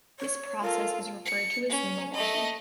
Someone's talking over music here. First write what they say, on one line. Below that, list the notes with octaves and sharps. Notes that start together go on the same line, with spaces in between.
This process is referred to as "nemawashi".
C#5
F4 A4 A#4
C#7
C#4
A3 D#5